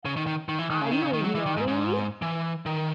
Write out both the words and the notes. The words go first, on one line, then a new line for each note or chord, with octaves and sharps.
Are you ignoring me?
C#3
D#3
D#3
D#3
E3
D#3
C#3
D#3
C#3
D#3
F#3
E3
D#3
G#2
G#2
E3
D#3